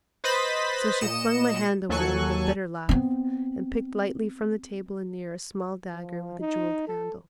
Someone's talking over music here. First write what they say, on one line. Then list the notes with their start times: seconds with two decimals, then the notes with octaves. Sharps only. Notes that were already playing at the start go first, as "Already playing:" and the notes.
So she flung my hand away with a bitter laugh, and picked lightly from the table anear a small dagger with a jewelled handle.
0.24 B4 C5 D#5 B5 A6 B6
1.01 A#2 D#5 C#7 E7
1.89 D#2 F#3 A4 G#5 C#6 F#6
2.89 B3 C4
5.94 F3
6.40 D#4
6.88 A4